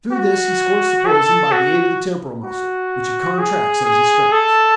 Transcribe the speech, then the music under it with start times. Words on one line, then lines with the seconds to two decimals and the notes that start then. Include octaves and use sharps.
Through this he squirts the poison by the aid of the temporal muscle, which he contracts as he strikes.
0.12 F#4
1.06 A4
1.52 F#4
2.45 F#4
3.39 G#4
3.85 G#4
4.32 A4